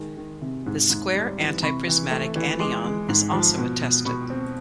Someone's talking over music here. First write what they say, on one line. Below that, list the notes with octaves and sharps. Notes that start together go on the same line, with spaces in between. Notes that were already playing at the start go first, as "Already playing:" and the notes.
The square antiprismatic anion is also attested.
Already playing: D#3 G#3
D#3
C3
G#2
G#2
G3
E3
C3 B5 C#6
E3
A3
E3
G#3 C6 D6
G#3
G#2
F3
B2
B2
B2 B5 C#6
C4